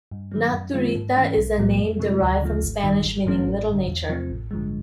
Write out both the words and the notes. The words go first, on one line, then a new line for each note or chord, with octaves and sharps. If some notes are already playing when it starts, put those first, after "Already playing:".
Naturita is a name derived from Spanish meaning "little nature".
G2
D#3 F#3 A3
F#2
D#3 G#3 C4 F4
G#2
E3 A3 C#4
B1
A2 F#3 A#3
F2
C3 F3 G#3
D2
C#3 F3 A3
G#1
F#2 D#3 G3
G#1
G2 E3 A3 C#4
A1
G2 D3
E2
C3 F3 A3 C4
A1
G2 D3 F3 G#3